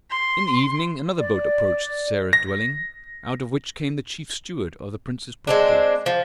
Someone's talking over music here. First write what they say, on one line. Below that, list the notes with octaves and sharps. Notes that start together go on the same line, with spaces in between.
In the evening another boat approached Sarah's dwelling, out of which came the chief steward of the prince's property.
C6
D5
A#6
G#3 C4 D4
F3